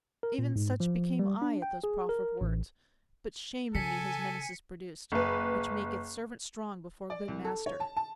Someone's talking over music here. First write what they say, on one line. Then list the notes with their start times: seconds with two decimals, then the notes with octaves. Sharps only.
Even such became I at those proffered words; But shame in me his menaces produced, Which maketh servant strong before good master.
0.23 A#4
0.39 A#2
0.56 G#2
0.80 F3
1.19 G3
1.42 D4
1.62 G5
1.84 G#4
2.09 A#4
2.41 A1
3.75 C#3 A4 G#5 B6 C#7
5.12 F#1 B4
7.10 D5
7.28 C2
7.45 A4
7.66 C#5
7.80 A5
7.97 A5